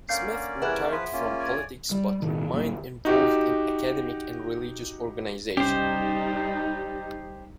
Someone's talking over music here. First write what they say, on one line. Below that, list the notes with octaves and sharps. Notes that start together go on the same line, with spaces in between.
Smith retired from politics but remained involved in academic and religious organizations.
D3 A#3 C#4 D5 F5 G6 C7
C3 E3 E4 G#4 B4 E5 F#5 F#6
F3 B4 C6 B6
A#3 C#4 F4
C#5 D5 G#5
G3
A2 D#3
A2 D3 F#3 A#3
D#4 F#4 G4
F#1 C2 G3 C#4 D#4 G4 C5